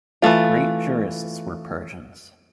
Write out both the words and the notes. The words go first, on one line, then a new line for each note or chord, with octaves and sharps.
Great jurists were Persians.
E3 F3 A3 F4